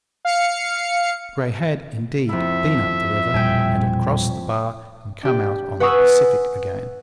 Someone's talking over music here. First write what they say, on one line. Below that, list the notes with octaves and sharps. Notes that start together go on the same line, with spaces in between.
Gray had, indeed, been up the river, and had crossed the bar and come out on the Pacific again.
F5 C#7
F2 E4 E5
E1 A#2 G3 G5 G#5
D4 G4
B4 F#5 G#5 C#6 D#6 E6